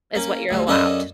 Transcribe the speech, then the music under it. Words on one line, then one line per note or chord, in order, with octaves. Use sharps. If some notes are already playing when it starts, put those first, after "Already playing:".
is what you're allowed."
A#3 C#4
D2 G2 G3
F#2 C#3 C#4 D4 A4 D#5